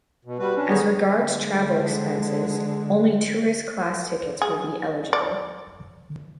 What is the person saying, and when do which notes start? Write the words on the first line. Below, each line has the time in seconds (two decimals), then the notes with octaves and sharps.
As regards travel expenses, only tourist class tickets will be eligible.
0.25 B2
0.39 G3 F#4 B4
0.56 C#4 D4
0.69 D3 D#3 B3 D#4 G#4 C#5
1.15 D3 G#3
4.42 G#4
5.13 D5